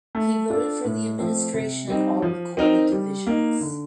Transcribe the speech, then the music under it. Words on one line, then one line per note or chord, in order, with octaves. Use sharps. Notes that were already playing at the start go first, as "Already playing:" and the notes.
He voted for the Administration in all recorded divisions.
A3
D4 F4 A4
A2
F3 A3 C4
C3
G3 C4 D#4
F3
C4 D#4 A#4
G3
A#3 D#4
D3